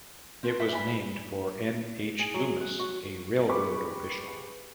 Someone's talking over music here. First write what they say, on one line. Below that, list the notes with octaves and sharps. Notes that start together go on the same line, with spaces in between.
It was named for N. H. Loomis, a railroad official.
C4 F#4 A4
B2 G3 B4 E5
G#5 B5
G#4
F#3
F#5
F#4
G4 G#4 B4 B5 C#6 D6